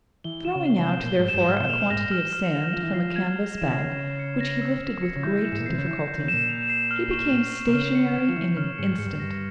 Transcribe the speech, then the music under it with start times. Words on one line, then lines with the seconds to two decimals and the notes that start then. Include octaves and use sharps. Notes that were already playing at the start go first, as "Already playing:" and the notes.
Throwing out, therefore, a quantity of sand from a canvas bag, which, he lifted with great difficulty, he became stationary in an instant.
0.24 E3 G7
0.45 E7
0.55 C#3
0.65 C7
0.79 C#3
0.87 C3 G6
1.03 A#2
1.08 G7
1.18 G#2
1.28 E7
1.34 G2
1.48 G#2 F6
1.60 C3
1.69 A#2 F7
1.90 G#2 A#6
2.11 F6
2.33 F6
2.52 F7
2.73 F3 E7
2.83 E3
2.92 F3 C7
3.16 G#6
3.36 F6
3.58 E3 E7
3.68 C#3
3.79 C7
3.99 E7
4.19 C#7
4.40 A#6
4.61 E6
4.82 E7
5.03 C#7
5.16 C#3
5.23 E3 G6
5.45 E7
5.52 G#2
5.60 A#2
5.66 C3 C7
5.78 C#3
5.86 E3 G6
6.07 G6
6.18 C#3
6.28 E7
6.33 A#2
6.49 F7
6.70 C7
6.91 F6
7.11 C#6
7.32 F7
7.52 C7
7.68 C3
7.73 C#3 F6
7.95 C#7
8.15 G#6
8.29 F3
8.36 E3 F6
8.57 C#3 F6
8.78 G#2 C#7
8.99 G#2 C#7
9.06 G2
9.20 G2 A#6